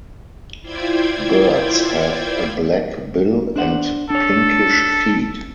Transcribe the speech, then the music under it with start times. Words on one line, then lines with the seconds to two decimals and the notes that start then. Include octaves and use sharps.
Birds have a black bill and pinkish feet.
0.61 E4 F4 C5 D5 G5 G#6
3.56 D4 C5 F#5
4.10 D4 A4 C#5